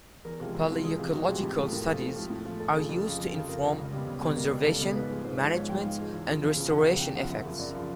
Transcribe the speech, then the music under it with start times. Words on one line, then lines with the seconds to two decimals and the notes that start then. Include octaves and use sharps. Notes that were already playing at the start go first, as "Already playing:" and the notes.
Paleoecological studies are used to inform conservation, management and restoration efforts.
0.25 E2 A#4
0.40 C3 F3 G#3
0.55 E2
0.70 C3 F3 G#3
0.83 E2 G#4
0.98 C3 F3 G#3 G4
1.13 E2 F#4
1.28 C3 F3 G#3 G4
1.42 A2 G4
1.57 F3 A3 G#4
1.72 A2 A#4
1.87 F3 A3
2.02 A2
2.16 F3 A3
2.30 A2
2.45 F3 A3
2.60 F2 A4
2.74 C#3 F3 G#4
2.89 F2 G4
3.04 C#3 F3
3.18 F2 A4
3.34 C#3 F3
3.49 F2 A#4
3.63 C#3 F3 A#4
3.78 C#2
3.92 B2 G3
4.07 C#2
4.21 B2 G3
4.36 C#2 A#4
4.51 B2 G3
4.66 C#2 A4
4.80 B2 G3
4.95 G#2 B4
5.09 F3 G#3
5.24 G#2 C5
5.39 F3 G#3
5.54 G#2 C#5
5.68 F3 G#3 G5
5.83 G#2 F5
5.98 F3 G#3
6.12 E2
6.28 C#3 F3
6.42 E2 F5
6.57 C#3 F3
6.71 E2 F#5
6.87 C#3 F3
7.00 E2 G5
7.15 C#3 F3 F#5
7.30 F#2 E5
7.45 C#3 F3
7.59 F#2 D5
7.75 C#3 F3